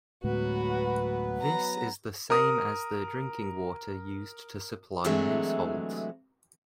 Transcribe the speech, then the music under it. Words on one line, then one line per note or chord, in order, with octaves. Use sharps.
This is the same as the drinking water used to supply households.
D2 A2 F#3 G#3 B3 F#4 B4
A#5
A#4 D#6
C3 E3 F#3 G#3 A3 D4